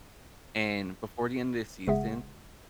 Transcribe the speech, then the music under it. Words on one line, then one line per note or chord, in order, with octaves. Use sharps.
and before the end of the season,
G1 C#3 G#3 G#4 E5 F#5